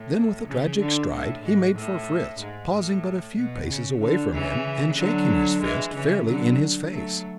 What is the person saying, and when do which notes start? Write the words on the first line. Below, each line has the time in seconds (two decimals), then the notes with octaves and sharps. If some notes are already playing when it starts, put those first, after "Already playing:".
Then, with a tragic stride, he made for Fritz, pausing but a few paces away from him, and shaking his fist fairly in his face.
Already playing: A2
0.48 C#3
0.80 D3
1.12 A2
1.43 G#2
1.75 A2
2.39 G#2
2.73 A2
3.36 B2
3.69 C#3
4.01 D3
4.32 C#3 E3
4.97 D3 F#3
5.61 E3 G#3
5.94 C#3 E3
6.25 D3 F#3
6.90 F#3 A3